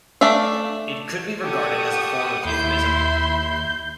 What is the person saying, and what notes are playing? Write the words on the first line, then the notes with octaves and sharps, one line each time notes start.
It could be regarded as a form of euphemism.
A3 D4 E5 F5
G4 A4 F#5 C#6 D#6
D#2 E4 E5 B5 C6 G6